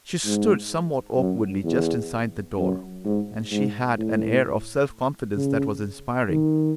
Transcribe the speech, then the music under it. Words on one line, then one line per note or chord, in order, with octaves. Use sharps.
She stood somewhat awkwardly just inside the door, and she had an air of self-confidence that was inspiring.
G#2
F#2
E2
F#2
G#2
G#2
A2
C#3
D#3